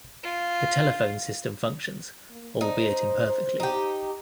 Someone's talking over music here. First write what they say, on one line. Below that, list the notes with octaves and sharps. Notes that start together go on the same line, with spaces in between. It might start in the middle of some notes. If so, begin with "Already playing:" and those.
The telephone system functions, albeit imperfectly.
F4
A#3
D#4 C5
D#4 G4